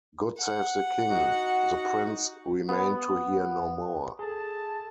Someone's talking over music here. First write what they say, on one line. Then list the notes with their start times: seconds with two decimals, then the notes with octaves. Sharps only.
God save the king! The prince remained to hear no more.
0.39 F#5
1.09 D#4 F#4
2.69 B3
4.19 G#4 A4 A5